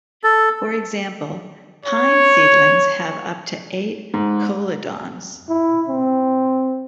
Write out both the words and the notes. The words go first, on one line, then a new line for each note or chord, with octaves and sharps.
For example, pine seedlings have up to eight cotyledons.
A4
C#5
G#2
E4
C4